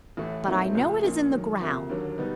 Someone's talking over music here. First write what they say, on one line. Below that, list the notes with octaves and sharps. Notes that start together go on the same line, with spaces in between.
But I know it is in the ground.
A1 A2 E3 A3
A#2 F#3 A3 C4 D#4
C#2 C#3 F3 A3
A#1 A#2 F3 A#3 D4
F#2 D#3 F#3
D2 C3 F3 A#3
D#2 D3 F#3 A#3
B2 G3 B3 D#4